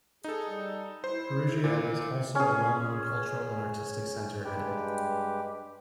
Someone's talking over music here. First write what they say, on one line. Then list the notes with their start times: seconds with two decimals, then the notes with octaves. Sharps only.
Perugia is also a well-known cultural and artistic centre of Italy.
0.24 D#4 G#4 A4
0.49 G3
1.04 E4 C5
1.64 A#2
2.35 C#4 G#4
4.45 G2 G#3 G4 B4 G5